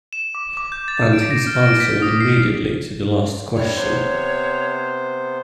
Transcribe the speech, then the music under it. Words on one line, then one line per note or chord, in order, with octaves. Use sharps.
And his answering immediately to the last question.
E7
D6
D6
G6
A6
D7
A#6
F6
D7
B6
D#6
C7
G3 D4 E4 C#5
C3 B3 C5